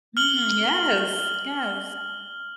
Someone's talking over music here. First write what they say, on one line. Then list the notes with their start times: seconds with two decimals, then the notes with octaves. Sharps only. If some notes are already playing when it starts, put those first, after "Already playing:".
Mm, yes, yes.
0.17 F6 F#7 G7